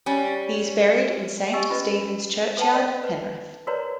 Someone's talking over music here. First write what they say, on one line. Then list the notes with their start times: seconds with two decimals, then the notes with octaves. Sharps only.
He is buried in Saint Stephen's churchyard, Penrith.
0.06 G3 C#4
1.53 G4 D#5 G#5 E6
1.69 C#4 F4 B4 D#5
2.57 A4 B4 F#5 G5 A5
2.73 D5 D#5 F5 F#5
3.04 B4
3.67 F#4 A#4 B4 C#5 D5 A#5